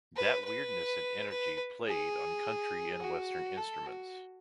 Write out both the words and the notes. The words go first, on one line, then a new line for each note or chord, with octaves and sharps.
That weirdness and energy played on country and western instruments.
B4
B4
B4
G#4
F#4
A4
F#4